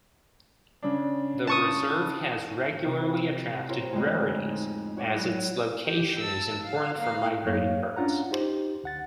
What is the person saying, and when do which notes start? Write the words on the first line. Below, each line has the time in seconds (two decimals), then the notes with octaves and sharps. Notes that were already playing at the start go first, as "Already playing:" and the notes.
The reserve has regularly attracted rarities, as its location is important for migrating birds.
0.82 C#3 D4
1.47 A5 C#6 D#6
2.85 C3 F4 G4 C#6
3.69 E4 F4 G4 A#4 C5 C#5
3.93 F2 A2 D3 G#3 C5 G#5
4.48 D#4
4.97 F#4 C#5 D5
5.13 F#3 E4 G#4 C#6 F#6
5.86 G4
6.19 A5 E6
6.63 F5
6.99 A#3 F5
7.46 F#2 A#3 C#5 F5
7.96 C#4 D4 F4 F#5 A#5
8.31 D#4 G4 C5
8.84 D2 F#5 A6